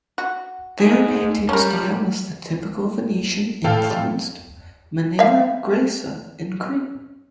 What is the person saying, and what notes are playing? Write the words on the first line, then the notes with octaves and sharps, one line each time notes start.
There painting style was the typical Venetian influenced maniera greca in Crete.
F#4
D#4 G#4
G3 C#4 A#4
A2 A4 F5 G5
E5 F5